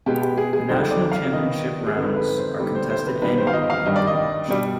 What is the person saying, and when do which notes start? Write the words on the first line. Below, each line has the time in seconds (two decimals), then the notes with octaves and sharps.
The national championship rounds are contested annually in mid-March.
0.06 B2 G#3 B3 G4
0.22 G4
0.37 G#4
0.53 G#4
0.69 F2 D3 G3 C4 D#4 C5
0.91 D5
1.12 F5
1.33 D#3 B3 D4 D#5
1.87 G#4
1.96 F2 D3 G#3 C4 D#4 B4
2.16 B4
2.37 C5
2.59 D3 G3 B3 D#4 D5
2.75 C5
2.90 C5
3.06 B4
3.22 D#3 G3 B3 D#4 B4
3.38 C5
3.47 F5
3.53 D#5
3.70 F5
3.86 G2 D#3 G3 D#5
3.96 D5
4.07 D#5
4.48 B2 G3 D4